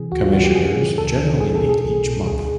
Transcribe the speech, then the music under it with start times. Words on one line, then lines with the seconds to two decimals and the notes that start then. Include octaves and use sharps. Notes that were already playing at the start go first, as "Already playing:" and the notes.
Commissioners generally meet each month.
Already playing: C3 E3 G#4
0.12 D2 F#4
0.22 F4
0.33 C3 E3 F#4
0.44 G4
0.55 D2 G#4
0.76 C#3 E3
0.98 D2 A4
1.20 C#3 E3
1.41 C2 G#4
1.55 A4
1.62 B2
1.69 G#4
1.85 C2
2.06 B2
2.27 D2 G#4